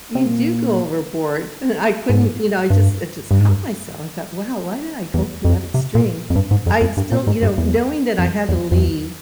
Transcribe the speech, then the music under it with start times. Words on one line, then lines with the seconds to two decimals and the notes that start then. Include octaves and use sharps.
you do go overboard," and then I couldn't you know, I just it just caught myself. I thought, "Wow, why did I go through that extreme?" I'd still, you know knowing that I had to leave,
0.15 C3
0.26 A#2
2.09 G#2
2.70 G2
3.31 G2
3.39 G#2
3.48 G2
5.14 E2
5.45 F2
5.74 C3
5.95 A#2
6.30 F2
6.36 G2
6.51 G#2
6.66 F2
6.81 F2
6.97 G2
7.12 A#2
7.27 G#2
7.42 G2
7.58 E2
8.18 F2
8.49 E2
8.72 F2
8.80 E2